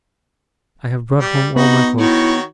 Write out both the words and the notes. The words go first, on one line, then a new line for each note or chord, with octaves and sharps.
I have brought home all my clothes.'
G3
B3 D#4 F#4 B5
D#3 E4 F#4 C#5